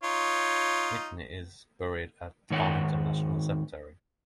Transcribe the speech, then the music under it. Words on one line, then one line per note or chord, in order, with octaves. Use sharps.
Whitney is buried at Arlington National Cemetery.
D#4 F4 C#5
G#2 D#3 C#5 F#5